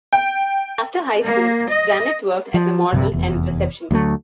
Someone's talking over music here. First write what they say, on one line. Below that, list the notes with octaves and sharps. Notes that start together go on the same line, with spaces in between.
After high school, Janet worked as a model and receptionist.
G5
A#3
D#5
F3
A#1 G2 C3 G3
F1 E2
D2 F#3 G3 A3